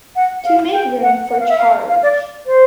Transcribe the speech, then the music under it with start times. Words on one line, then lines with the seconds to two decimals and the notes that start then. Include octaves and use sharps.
To make room, for Charge!
0.16 F#5
0.44 F5
0.73 G5
1.02 F#5
1.31 F#5
1.40 F5
1.49 E5
1.59 F5
1.89 F5
2.03 D5
2.46 C5